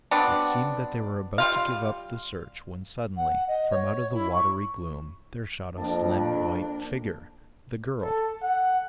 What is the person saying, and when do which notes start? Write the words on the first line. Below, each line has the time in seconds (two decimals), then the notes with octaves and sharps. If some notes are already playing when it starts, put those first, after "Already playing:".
It seemed that they were about to give up the search when suddenly, from out of the watery gloom, there shot a slim white figure--the girl!
0.11 F#3 B3 C4 D4
1.38 G3 F4 F5
3.16 F#5
3.47 D#5
3.71 C#5
4.13 E4
4.32 C#6
5.76 F2 A#3 D4
8.02 A4
8.42 F#5